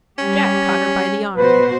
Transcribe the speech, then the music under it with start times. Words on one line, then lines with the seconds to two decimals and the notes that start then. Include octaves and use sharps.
Jack caught her by the arm.
0.18 G3 C#4 G4
1.36 B2 F#4 B4 C5